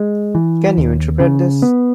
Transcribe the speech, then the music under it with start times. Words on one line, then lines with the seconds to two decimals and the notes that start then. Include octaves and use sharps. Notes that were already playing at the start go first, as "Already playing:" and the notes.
Can you interpret this?
Already playing: G#3
0.35 E3
0.78 D#2
1.20 C#3
1.62 B3